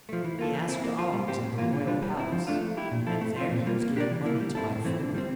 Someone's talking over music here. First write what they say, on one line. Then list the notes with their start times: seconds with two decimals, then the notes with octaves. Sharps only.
He asked alms at the royal palace and there he was given money to buy food.
0.09 F3 A3
0.24 E3
0.39 A#3 F4 A4
0.54 F3
0.69 C4 E4
0.84 A#3
0.98 F4 C5
1.13 G3
1.28 C4 G4 C5
1.43 A2
1.58 E3 A#3 F4
1.73 D3
1.87 G3 D4 F4
2.02 G3
2.17 C4 E4
2.32 F3
2.47 A3 D4 F4
2.61 A3
2.77 E4 G4
2.91 A#2
3.06 F3 C4 E4 A4
3.21 A3
3.36 C4 F4 C5
3.51 A#2
3.66 G3 A#3 F4
3.81 A#3
3.96 D4 G4 A#4 D5
4.10 E3
4.26 A#3 E4
4.40 G3
4.55 C4 E4 A4
4.70 A2
4.85 E3 A3 C4
5.00 D3
5.14 G3 C4